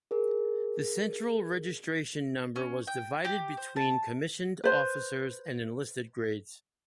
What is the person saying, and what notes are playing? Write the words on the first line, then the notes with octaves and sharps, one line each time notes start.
The Central Registration Number was divided between commissioned officers and enlisted grades.
G#4 A#4
C#4
G5
G4
C5
A5
B4 C5